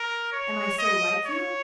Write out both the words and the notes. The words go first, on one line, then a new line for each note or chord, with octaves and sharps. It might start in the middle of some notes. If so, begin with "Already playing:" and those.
"Am I so like you?"
Already playing: A#4
C#5
D#5
C#5